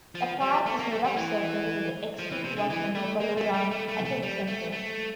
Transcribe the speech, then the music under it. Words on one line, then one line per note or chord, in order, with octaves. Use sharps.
The park is a rough circle, with the extinct volcano, Baluran, at its centre.
F3
G3
A3
A#3
A3
G3
E3
F3
E3
C3
D3
E3
A3
A#3
A3
G3
A3
A3
A3
G3
A3
A3